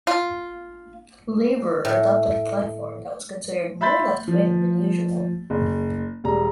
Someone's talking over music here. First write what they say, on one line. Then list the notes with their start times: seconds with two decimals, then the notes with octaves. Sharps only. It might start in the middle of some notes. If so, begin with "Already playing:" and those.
Labour adopted a platform that was considered more left-wing than usual.
0.07 F4
1.85 A2
3.81 E5 B5 C6 G6 A6 B6
4.28 F3
5.50 F#1
6.24 E1 G3 A#5